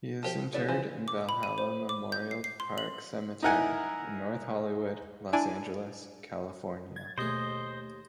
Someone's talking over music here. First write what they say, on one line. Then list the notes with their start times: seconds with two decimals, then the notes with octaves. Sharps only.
He is interred in Valhalla Memorial Park Cemetery in North Hollywood, Los Angeles, California.
0.23 F3 G4 C5
0.54 C#3 B3 E4 D5
0.68 E3 F3
1.08 D6
1.29 B5
1.43 D#7
1.58 C5
1.89 D6
2.12 G6
2.31 C7
2.44 C7
2.60 C6
2.78 F#7
3.43 D#4 E4 A#4 F#5 G#5
5.33 D4 E4 D5 G#5
6.96 G#6 A6
7.18 D#2 B2 A3 G#4 C5 D#5